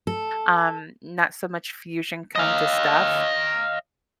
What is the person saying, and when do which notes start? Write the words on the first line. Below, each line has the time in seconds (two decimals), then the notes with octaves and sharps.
um, not so much fusion kinds of stuff,
0.07 A4
2.36 D#5 F5